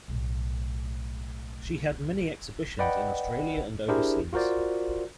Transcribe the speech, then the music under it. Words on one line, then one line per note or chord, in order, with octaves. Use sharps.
She had many exhibitions in Australia and overseas.
B1 A2
B4 D5 D#5 F#5 G5 B5
D4 E4 G4 G#4 A#4 C5
F4 F#4 A#4 C5 D5